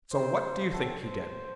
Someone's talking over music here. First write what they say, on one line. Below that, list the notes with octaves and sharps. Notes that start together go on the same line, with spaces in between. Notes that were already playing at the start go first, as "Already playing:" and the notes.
So what do you think he did?
D#3 A3 C4 C5
A2 F#3 C4 A4
C5